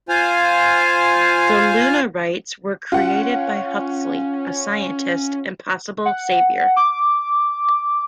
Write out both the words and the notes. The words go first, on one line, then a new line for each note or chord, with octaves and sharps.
The Lunarites were created by Huxley, a scientist and possible saviour.
F4 C5 F5 G#5
C#4 F4 F#5
F#5
D6